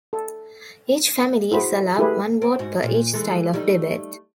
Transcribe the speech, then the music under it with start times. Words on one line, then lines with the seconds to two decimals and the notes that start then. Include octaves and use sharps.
Each family is allowed one vote per each style of debate.
0.13 A4
1.51 E4 F#4 G#4 C5 B5
1.98 A3 E4 G4 G#4 B4
2.42 C4
2.59 G#2 F#4
2.83 A#2
3.13 E3 G#3 A4
3.53 G3 A3 D#4